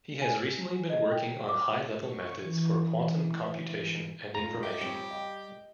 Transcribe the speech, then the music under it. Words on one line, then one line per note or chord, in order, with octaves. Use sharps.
He has recently been working on high-level methods for quantum computation and information.
G#5
D#5
G5
D6
C#6
E3
F1 F4 A#5
G4 D#5 E5 G5
F2 G3 C4 C#5
D#5 G5